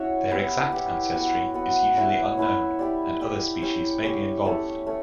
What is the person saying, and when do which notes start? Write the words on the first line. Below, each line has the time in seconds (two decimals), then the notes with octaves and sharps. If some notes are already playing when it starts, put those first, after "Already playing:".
Their exact ancestry is usually unknown and other species may be involved.
Already playing: C#4 E4 F#4 C#5 E5
0.30 B3 E4 G4
0.72 B3 E4 G4
1.13 B3 F#4 B4
1.54 B3 F#4 B4
1.97 C#4 E4 B4 E5
2.37 C#4 E4 B4 E5
2.79 E4 G4 D5
3.21 E4 G4 D5
3.62 C#4 G4 C#5
4.04 C#4 G4 C#5
4.45 A3 C#4 E4
4.87 A3 C#4